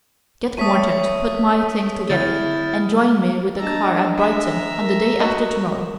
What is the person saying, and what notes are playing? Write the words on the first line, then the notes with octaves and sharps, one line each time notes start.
Get Morton to put my things together, and join me with the car at Brighton on the day after to-morrow.
A3 C#5 A5 D#6 B6 D#7
D3 E4 F6 G6 A6
D4 D#5 A5 A#5 E6
G#3 E5 A#5
A#4
F#4 D#5